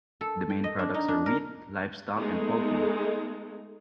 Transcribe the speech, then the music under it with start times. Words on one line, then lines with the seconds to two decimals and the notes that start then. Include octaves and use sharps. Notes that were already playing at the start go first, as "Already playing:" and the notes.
The main products are wheat, livestock, and poultry.
0.21 A4
0.50 G5
0.64 D#5
0.79 D4
0.94 D#4
1.08 D4
1.26 A#4
2.17 G#3 A3 B3 D#4 G#4 A4